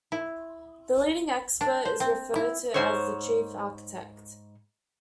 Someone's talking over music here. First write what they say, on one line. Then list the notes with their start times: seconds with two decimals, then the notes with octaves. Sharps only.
The leading expert is referred to as the "chief architect".
0.12 E4
1.61 D4
1.85 C5
2.00 C4
2.35 E4
2.74 G#2 C5 C#5